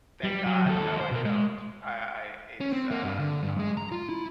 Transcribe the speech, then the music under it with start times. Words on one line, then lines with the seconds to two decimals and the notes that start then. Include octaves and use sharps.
Thank god, no, I don't. I I it's, uh, um
0.24 G3
0.46 F#3
0.66 D#2 A4
0.97 C5 D#5
1.11 B2 A#4
1.25 G#3
2.60 C#4
2.73 C4
2.91 A#3
3.04 G2
3.20 D3
3.42 G2
3.59 G#3
3.77 A#5
3.92 F4
4.09 E4